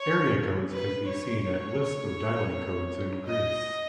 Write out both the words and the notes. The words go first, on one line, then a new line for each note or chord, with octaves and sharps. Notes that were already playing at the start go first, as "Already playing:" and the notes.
Area codes can be seen at List of dialing codes in Greece.
Already playing: C#5
B4
C#5
D#5